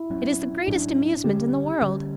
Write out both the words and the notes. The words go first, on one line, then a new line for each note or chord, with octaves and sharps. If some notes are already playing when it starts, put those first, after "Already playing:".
It is the greatest amusement in the world!
Already playing: E4
A2 F#3 C#4
A2 F#3 C#4 D4
D3 G3 C#4 G4
D3 G3 C#4